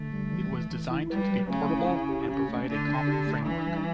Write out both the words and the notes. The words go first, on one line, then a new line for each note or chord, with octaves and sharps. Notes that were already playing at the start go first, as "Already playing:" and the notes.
It was designed to be portable and provide a common framework.
Already playing: D3 A3
G3
E3
E3
E3
E4
G3 B4
F#3
C#3 A3
E4
E4
G4
C#3 C#4
A3
D3 A3
D4
G4
A3
E3 D4
G3